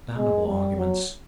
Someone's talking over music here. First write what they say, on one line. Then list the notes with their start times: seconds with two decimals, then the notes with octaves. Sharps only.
Damnable arguments!
0.18 G#3
0.48 G3
0.78 F#3